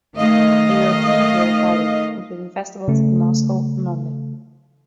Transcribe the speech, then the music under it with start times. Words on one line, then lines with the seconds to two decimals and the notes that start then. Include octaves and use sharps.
A European tour followed, including festivals in Moscow and London.
0.17 D#3 A3 D#5 F5
2.88 C#3 A3